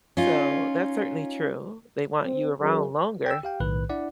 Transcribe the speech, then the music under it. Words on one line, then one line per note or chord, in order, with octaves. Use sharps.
So that's certainly true, they want you around longer.
C#4 D#4 F4
C4
F#2 G#4
G5 E6
G4 F5 G5
B1 A2 D#3 B4 F#6
D4 E4 D5 F#5